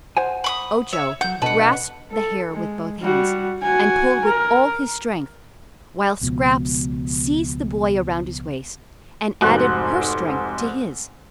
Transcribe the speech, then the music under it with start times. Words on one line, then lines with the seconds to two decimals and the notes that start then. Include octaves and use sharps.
Ojo grasped the hair with both hands and pulled with all his strength, while Scraps seized the boy around his waist and added her strength to his.
0.17 C5 F#5 G#5
0.44 B5 C#6 D#6
0.93 C#5 E5 E6
1.21 F#3 F#5 G6
1.42 B2 D3 B4 F#5 A5
2.11 A4
2.52 G#3
3.02 G3 F#4
3.63 F#4 G#5
4.25 A#4
6.21 C#2 B2 F3
9.41 F1 G#2 F#4 F#6